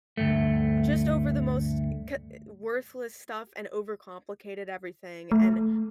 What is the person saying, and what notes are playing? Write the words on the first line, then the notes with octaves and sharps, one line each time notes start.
just over the most co worthless stuff and overcomplicated everything and
D2 G2 A3
A3